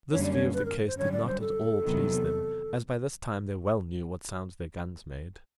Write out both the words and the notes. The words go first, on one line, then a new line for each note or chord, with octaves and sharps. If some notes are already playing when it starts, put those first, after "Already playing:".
This view of the case did not at all please them, as by this time they well knew what sounds their guns made.
F#2 D3 G3 A#3 C#4 C#5
D5
C#5
B4
A#4
C5
F#2 D3 G3 C#5
D5
C5
A4
E2 C3 D#3 F#3 B3